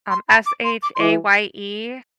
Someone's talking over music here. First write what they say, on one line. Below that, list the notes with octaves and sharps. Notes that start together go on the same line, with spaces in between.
Um, S-H-A-Y-E,
C6
B5
D6
C6
D6
C6
E3 D6